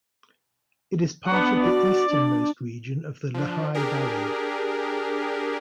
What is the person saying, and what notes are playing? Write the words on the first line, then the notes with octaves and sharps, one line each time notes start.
It is part of the easternmost region of the Lehigh Valley.
B3 D4 F#5
F#4 D5
D4
F3 D4
D4 G4 G#4 A#4